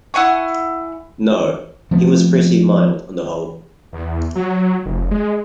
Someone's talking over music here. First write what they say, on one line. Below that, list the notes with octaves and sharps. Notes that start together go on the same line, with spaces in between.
No; he was pretty mild, on the whole.
E4 F#5 G#5 C#6
F3 A3 B3 C4
E2
F#3
F1
G#3